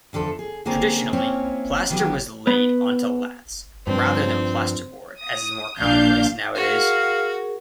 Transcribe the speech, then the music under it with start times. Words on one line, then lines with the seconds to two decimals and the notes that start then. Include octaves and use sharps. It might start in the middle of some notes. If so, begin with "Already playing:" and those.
Traditionally, plaster was laid onto laths, rather than plasterboard as is more commonplace nowadays.
0.13 E2 D3 F3 A4
0.39 G#4
0.65 D3 A#3 C4 C#4 G#4 A#4
1.13 A#3 C4 C#4 E4 C#5
1.90 D#3 E3 F#3 B3 G4
2.47 B3
3.87 G2 F3 C4
5.20 D#6
5.79 A#1 A#2 D4 F5 G6
6.55 F#4 G#4 A#4 F5